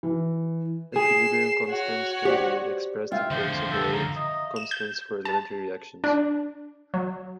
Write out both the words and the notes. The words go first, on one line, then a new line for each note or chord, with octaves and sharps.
Equilibrium constants can be expressed in terms of the rate constants for elementary reactions.
E3
G#4 C7 E7
F#4 C#5
G4 C5 D5
F4 E5 F5 G5
D3 F3 C5
A4 G5
A#5
D#5
E7
G6
A5
D4
F#3